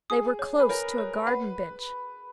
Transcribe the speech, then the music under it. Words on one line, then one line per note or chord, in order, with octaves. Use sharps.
They were close to a garden-bench.
G#4 D#6
C#5
B4
A#4 C#5
C#5
B4 F#5